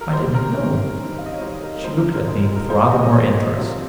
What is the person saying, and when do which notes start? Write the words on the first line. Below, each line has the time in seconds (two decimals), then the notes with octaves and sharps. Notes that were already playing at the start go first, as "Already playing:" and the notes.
"I didn't know." She looked at me with rather more interest.
0.01 A#4
0.13 D#3 G3 C#4 C5
0.34 A#4
0.56 D#3 G3 C#4
0.99 D#3 G3 C4 D#4
1.18 F5
1.26 D#5
1.34 C#5
1.41 D#3 G3 C4 D#4 C5
1.63 A#4
1.75 A#4
1.84 F3 G#3 C4 D#4 C5
1.98 A#4
2.13 A#4
2.27 F3 G#3 C4 D#4 C5
2.41 C5
2.56 A#4
2.69 F3 G#3 C#4 F4 C5
2.91 D#5
3.12 F3 G#3 C#4 F4 C#5
3.55 C3 F3 C4 F4